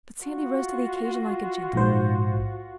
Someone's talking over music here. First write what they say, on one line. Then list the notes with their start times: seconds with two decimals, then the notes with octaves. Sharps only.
But Sandy rose to the occasion like a gentleman.
0.22 F4 F#4
1.73 A#1 G#2 C5